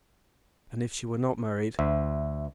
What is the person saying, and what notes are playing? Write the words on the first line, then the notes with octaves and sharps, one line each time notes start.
"And if she were not married?"
D2 E5